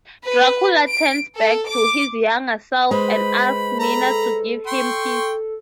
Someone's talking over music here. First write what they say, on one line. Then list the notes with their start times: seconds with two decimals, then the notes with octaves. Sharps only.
Dracula turns back to his younger self and asks Mina to give him peace.
0.23 B4
0.88 D7
1.36 A4
1.67 D6
2.91 G#3 B4 C5 B5
3.80 A4 A#5 B5
4.67 G5 C6 C#6